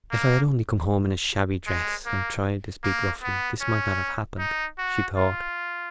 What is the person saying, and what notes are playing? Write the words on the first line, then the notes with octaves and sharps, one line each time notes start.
"If I had only come home in a shabby dress, and tried to speak roughly, this might not have happened," she thought.
A#3
G#3
A#3
A#3
B3
C#4
D#4
F#4
F4